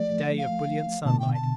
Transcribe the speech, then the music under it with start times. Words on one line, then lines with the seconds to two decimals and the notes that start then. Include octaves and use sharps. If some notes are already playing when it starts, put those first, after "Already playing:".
A day of brilliant sunlight.
Already playing: F3 A3 D5
0.38 F5
1.06 B2 D3 A5
1.20 G5
1.34 A5